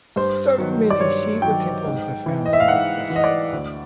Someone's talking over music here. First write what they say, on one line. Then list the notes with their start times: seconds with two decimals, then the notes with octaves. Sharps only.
So many Shiva temples are found in this district.
0.16 G2 C5
0.58 D#3 F#3
0.90 D5
1.00 G2 C#5
1.42 D#3 F#3 G5
1.84 G#2
2.26 E3
2.46 D#5
2.53 E5
2.60 F5
2.68 G#2 F#5
3.10 E3
3.16 D#5
3.24 D5
3.53 D2